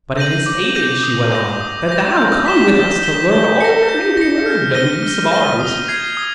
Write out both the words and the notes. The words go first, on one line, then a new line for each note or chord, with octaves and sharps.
But it is fated,' she went on, 'that thou come with us to learn all that may be learned of the use of arms.
G6 A#6 D#7 F#7
D6
G6 A#6 D#7 F#7
D#6
G6 A#6
D#6
G6 A#6
G6
B6 E7 G7
G6
B6 E7 G7
G6
A#6 C#7
G6
A#6 C#7
F6
A#6 D#7 G7
F6
A#6 D#7 G7
D#6
G#6 C7
D#6